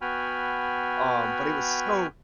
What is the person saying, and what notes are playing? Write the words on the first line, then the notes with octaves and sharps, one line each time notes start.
um, but it was so
B3 F#4 G5 G#5 B5 F6